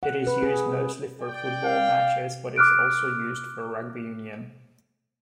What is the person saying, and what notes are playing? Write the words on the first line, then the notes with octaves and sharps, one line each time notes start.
It is used mostly for football matches, but is also used for rugby union.
F#5
B4
G#4
D5 G5
F5
D6 F6 F#6 D7